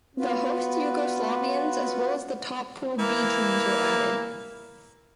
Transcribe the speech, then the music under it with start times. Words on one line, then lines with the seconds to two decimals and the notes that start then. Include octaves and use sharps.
The host Yugoslavians as well as the top pool 'B' teams were added.
0.19 B3 F4 F#4 B4
2.99 E3 A#3